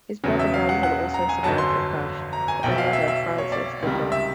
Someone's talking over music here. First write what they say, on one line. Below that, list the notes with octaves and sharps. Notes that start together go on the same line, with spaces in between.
His brother Brandon also survived the crash, but their mother, Frances, did not.
E1 E2 C#3 F#3
E5
F5
F#5
F#5
A#5
G#5
G1 F2 D3 F#3 A5
C6
A#5
G#5
B1 B2 F#3 G5
E5
F5
E5
E5
C#5
D5
C#2 C3 D#3 G3
E5